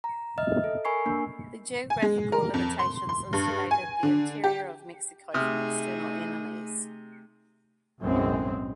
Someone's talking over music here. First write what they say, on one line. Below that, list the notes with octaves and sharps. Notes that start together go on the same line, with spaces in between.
The geographical limitations insulated the interior of Mexico from external enemies.
A#5
D#5 E5 F6
A4
A#4 G#5 B5 C#6 C7
A#3 D4
G#5
G#3
A#4
F2
C6
C6
G2
G#5
D3
G4
C3 A3 D#4 G#4 D#6 F6
B1 F#2 A2 G#3 C4